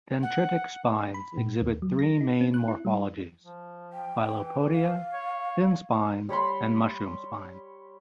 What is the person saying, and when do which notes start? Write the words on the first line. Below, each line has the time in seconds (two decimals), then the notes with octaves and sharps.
Dendritic spines exhibit three main morphologies: filopodia, thin spines, and mushroom spines.
0.22 F#5
1.14 B5
1.37 A#2
1.62 D#2
1.82 F#3
1.99 A#6
2.21 D#4
2.41 C4
2.54 F#6
2.68 E4
2.85 G3
3.44 F3
3.93 G5
4.30 E3
4.72 F5
5.13 C#5
6.29 G3 C#5 B5 C6